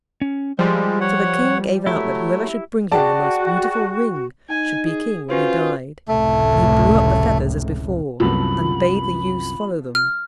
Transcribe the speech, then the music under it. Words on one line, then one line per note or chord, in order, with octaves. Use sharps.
So the King gave out that whoever should bring him the most beautiful ring should be King when he died, and he blew up the feathers as before, and bade the youths follow them.
C#4
F3 G3 G#3 C5 C6
C#5 F#5
F#3 A3 E4 G4 E5
F#4 G#4 D5 F#5 G5 A5
D#4 G#5
G#4
C#4 F4 F#4 B4 C5
F1 C#2 A2 A3
C2 F#2 F3 B3 A4 B5
F6